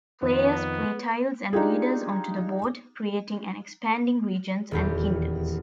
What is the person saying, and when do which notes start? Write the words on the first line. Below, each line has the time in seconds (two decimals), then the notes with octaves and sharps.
Players play tiles and leaders onto the board, creating and expanding regions and kingdoms.
0.22 F2 D#3 B3
1.53 D4 D#4 F4 G4 G#4
4.71 D#1 E2 G4